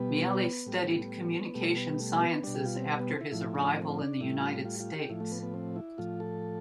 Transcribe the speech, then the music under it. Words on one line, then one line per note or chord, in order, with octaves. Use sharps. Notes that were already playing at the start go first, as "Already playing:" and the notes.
Meili studied communication sciences after his arrival in the United States.
Already playing: B2 G3 B3
A2 G3
B2 G3 A3
B3
A3
B3
B2 G3 D4
G4
F4
C4
B3
C4
E4
A2 F3 E4
D4
C4
D4
A2 G3 E4
F4
F4
F4
G4
A2 F3 E4
A3
B3
B3
C4
E4
A2 F3 F4
A4